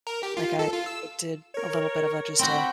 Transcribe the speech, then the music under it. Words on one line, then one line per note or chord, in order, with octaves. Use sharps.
like, I I did a little bit of a just a,
A#4
G4
F4
A4
F4
E6
A#4 C#5
C4 F#4 G5 B5